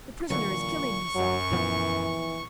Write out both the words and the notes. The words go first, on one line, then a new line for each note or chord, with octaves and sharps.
"The prisoner is killing himself!"
A#2 D3 E3 F#3 C#6
F#2 F#3
A#2 E3 F3 B3